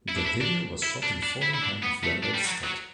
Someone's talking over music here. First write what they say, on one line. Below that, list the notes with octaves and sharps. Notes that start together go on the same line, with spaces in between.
The video was shot in the former home of Randolph Scott.
E4
D4
E4
D4
E4
D4
D4
E4
E4
D4
B3
A3
D4
G3
F#3
F#3